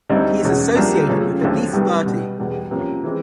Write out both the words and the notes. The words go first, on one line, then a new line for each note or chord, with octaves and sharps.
He is associated with at least thirty.
D2 D3 G3 C4 D#4
E2 B2 G#3 C#4
C2 C3 F3 A#3 D4
F#2 C#3 F3 A3 C#4
D#2 D3 F#3 A3 C4
C2 C3 D#3 G3 B3
B2 G3 B3
E2 B2 G3 B3
C3 F3 A#3 C#4
E3 G#3 C4